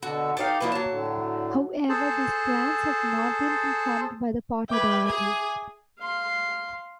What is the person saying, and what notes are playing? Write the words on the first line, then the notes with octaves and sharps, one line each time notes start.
However, these plans have not been confirmed by the Port Authority.
B2 D3 F#4 A4
D#4 G4 A4 D5 F5
F3 F#3 A#3 D4 E4 B4
F#3 A#3 A5
A2 D3
G#4 A4 C5 A5
B4 E5 G5 D6 G#6
G#4 G#5
F5 C6